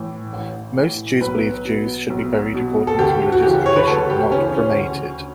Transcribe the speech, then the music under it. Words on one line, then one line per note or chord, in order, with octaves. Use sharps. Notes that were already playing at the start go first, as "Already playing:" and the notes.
Most Jews believe Jews should be buried according to religious tradition, not cremated.
Already playing: A2 E3
A1
A2 E3
B1 B4
B2
B1
B2
A4
D2 G4
F#4
C#3 E3 G4
C#5
B4
D2 A4
G4
C#3 E3 C#4
C#4
D2